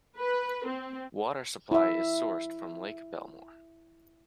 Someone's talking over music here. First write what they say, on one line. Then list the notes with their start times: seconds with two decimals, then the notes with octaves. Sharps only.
Water supply is sourced from Lake Belmore.
0.18 B4
0.66 C4
1.71 E4 E5